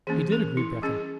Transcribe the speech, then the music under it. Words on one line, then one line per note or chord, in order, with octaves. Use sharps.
"He did," agreed Breton.
E3 A#3 C#4 G#4
A#4
E4
G3 C#4 G#4